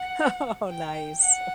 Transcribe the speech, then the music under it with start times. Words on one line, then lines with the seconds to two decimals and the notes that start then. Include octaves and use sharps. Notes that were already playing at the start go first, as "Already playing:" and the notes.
Oh, nice,
Already playing: F#5
0.69 G5
1.20 F#5